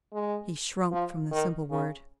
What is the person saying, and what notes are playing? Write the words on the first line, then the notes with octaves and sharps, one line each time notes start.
He shrunk from the simple word.
G#3
F3
D#3
C#3